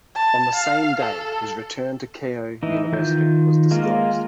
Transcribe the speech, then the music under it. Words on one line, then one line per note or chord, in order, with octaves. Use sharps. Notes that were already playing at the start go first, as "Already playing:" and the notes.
On the same day his return to Keio University was disclosed.
A5
F5
A4
E3 D#4
D#3 F4 G6
G#3 A#3 F4 A#4